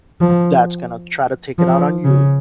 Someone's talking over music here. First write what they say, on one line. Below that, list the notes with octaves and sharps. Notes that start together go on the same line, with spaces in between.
that's gonna try to take it out on you
F3
F3
C#3